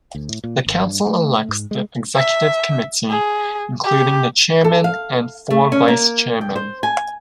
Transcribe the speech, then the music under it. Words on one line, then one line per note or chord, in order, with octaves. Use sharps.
The Council elects the Executive Committee, including the Chairman and four Vice Chairmen.
D2
A2
A#2
G#1
G2
A3
G#2
G#3
E5
G#4
G4
A4
F5
A3
C#4
A#3
G5
C5
G#5